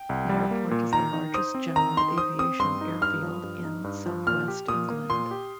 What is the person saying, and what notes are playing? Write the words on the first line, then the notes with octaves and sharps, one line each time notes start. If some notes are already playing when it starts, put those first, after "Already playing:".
The airport is the largest general aviation airfield in South West England.
Already playing: G5
C2
G3
A#3
A#2
D#3 A#5
D#4
C5 D#6
C4
D#3 A#5
D#4 C6
C5 D#6
C4 D#6
G2 C6
D#4
G2 F6
F3
G2
D#4
G2
F3
A#2 F6
G4
A#2 D#6
A#3
A#2 C6
G4